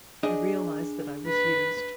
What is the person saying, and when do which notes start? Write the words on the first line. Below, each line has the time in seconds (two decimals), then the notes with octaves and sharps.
I realised that I was used.
0.23 D4 G#4 D#5
1.27 B4